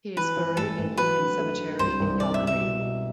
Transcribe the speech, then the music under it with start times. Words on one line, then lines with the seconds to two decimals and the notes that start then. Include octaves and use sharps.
He is buried in Union Cemetery in Calgary.
0.16 E3 B4
0.37 E3
0.57 A1 A4
0.78 A1
0.97 F#3 B4
1.19 D3
1.38 A3
1.59 D3
1.79 C2 C5
2.00 C2
2.20 C3 D5
2.34 E5
2.40 C2
2.47 E5
2.61 B2
2.81 B2